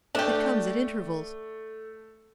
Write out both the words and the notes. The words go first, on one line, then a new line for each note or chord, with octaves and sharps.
It comes at intervals.
A3 D4 G4